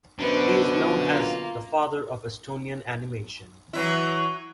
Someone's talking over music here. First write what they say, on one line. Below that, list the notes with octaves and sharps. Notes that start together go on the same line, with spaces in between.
He is known as "the father of Estonian animation".
B1 F#2 B2 D3 B3 C5
A#3 F4
E3 F#3 E4